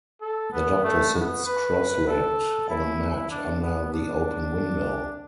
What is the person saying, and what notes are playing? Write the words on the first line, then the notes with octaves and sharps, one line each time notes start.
The doctor sits cross-legged on a mat under the open window.
A4
B3
A3
B3
B4
A4
E4
D4
B3
D4